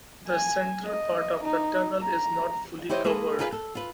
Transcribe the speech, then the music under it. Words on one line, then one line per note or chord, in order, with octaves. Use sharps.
The central part of the tunnel is not fully covered.
G#5
D#5
D#4
A#5
E4 G4 C5 C#5 D#5
G#3 A#3 G#4 A4 B4
F4 G#4 A#4 B4 E5 F5
A4
F4 B4